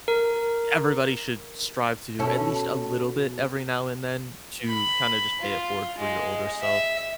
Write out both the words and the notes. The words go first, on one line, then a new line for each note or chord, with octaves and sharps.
everybody should, strive to do at least a little bit every now and then to kinda just pay it forward for your older self.
A#4
B2 C#4 A4
B5
F4
G#3
E5